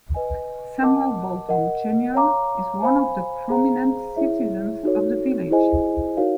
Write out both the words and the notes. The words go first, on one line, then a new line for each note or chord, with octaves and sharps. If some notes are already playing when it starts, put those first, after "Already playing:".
Samuel Bolton, junior, is one of the prominent citizens of the village.
B4 D#5 G#5
A#4 D#5 F#5 A5 D6
A#4 D#5 F#5
C#5 F5 A#5 D6
C5 F5 G#5 B5
G#4 C5 F5 A#5
E4 G#4 C#5 E5
D#4 F#4 A4 C#5
E4 G#4 C5 D#5 G#5
D#4 F#4 A#4 C#5 F5